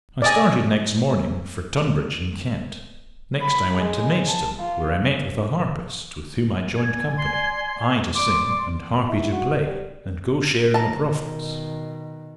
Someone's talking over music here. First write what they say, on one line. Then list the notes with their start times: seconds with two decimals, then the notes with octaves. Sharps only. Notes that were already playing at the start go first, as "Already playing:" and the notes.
I started next morning for Tunbridge, in Kent; next I went to Maidstone, where I met with a harpist with whom I joined company, I to sing, and harpy to play, and go share in the profits.
0.22 D5 D#5 G#5
3.41 B5
3.78 G#3
4.28 A5
4.61 F4
6.76 D5 G#5 G#6
7.17 C6
8.15 D5 C6 D6
9.09 E4
9.32 F#4
9.66 G3
10.74 B2 D#3 A5 A#5